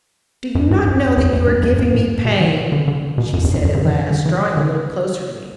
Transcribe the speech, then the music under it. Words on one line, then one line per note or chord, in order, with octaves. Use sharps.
"Do you not know that you are giving me pain?" she said at last, drawing a little closer to me.
F#2
G2
F#2
E2
F#2
G2
F#2
F#2
A2
B2
E3
D3
D3
B2
F#2
E2
F#2
F#2
C#3
E3
D3
E3
D3